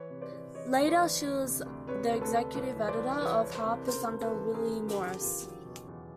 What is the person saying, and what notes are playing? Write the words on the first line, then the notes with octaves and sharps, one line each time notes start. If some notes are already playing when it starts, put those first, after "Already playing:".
Later she was the executive editor of "Harper's" under Willie Morris.
Already playing: E3 B4 C#5
C3
C5 D5
E3
E3 C#5 D#5
D2
C5 D5
E3
D2
C3
D2
C3 B4 C#5
D2
A4 B4
D2
C2 B4 C#5
E3
C5 D5
C2
D5
E3 B4 C#5
E3
A#4 C5
C3
C#3 A#4 C5
D#2
A4 B4
E3
C#3 G#4 A#4
C#3
G4 A4
D#2
E2 F4 G4
F#3
B2
E2